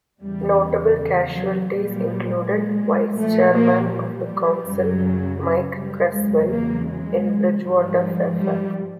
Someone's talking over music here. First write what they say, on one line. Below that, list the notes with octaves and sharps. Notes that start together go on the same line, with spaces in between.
Notable casualties included Vice-Chairman of the Council Mike Creswell, in Bridgwater Fairfax.
E2 C#3 E3 G3
G3
F#3
A#2 F#3 G3
G#3
A#2 F3 A3
A#3
G3
F#2 C#3 F#3
F#3
G3
E2 C#3 F#3 G#3
A#3
G#3
G#2 F3 G3
G3